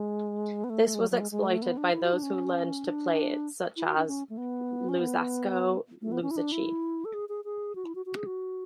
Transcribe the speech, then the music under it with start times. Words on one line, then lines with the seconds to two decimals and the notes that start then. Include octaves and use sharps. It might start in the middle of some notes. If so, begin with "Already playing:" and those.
This was exploited by those who learned to play it, such as Luzzasco Luzzaschi.
Already playing: G#3
0.64 B3
0.70 A3
0.85 A3
0.95 G#3
1.00 F#3
1.11 F#3
1.20 G#3
1.31 G#3
1.46 A3
1.62 B3
1.77 D4
1.93 E4
2.03 F#4
2.13 D4
2.23 C#4
2.85 D4
3.77 E4
3.86 F#4
3.96 D4
4.07 C#4
4.30 A3
4.37 B3
4.89 C#4
4.99 B3
6.02 A3
6.12 B3
6.22 C#4
6.31 E4
6.37 D4
6.52 E4
7.05 A4
7.14 G#4
7.29 G#4
7.45 G#4
7.75 F#4
7.85 E4
7.95 F#4
8.06 F#4
8.16 G#4
8.26 F#4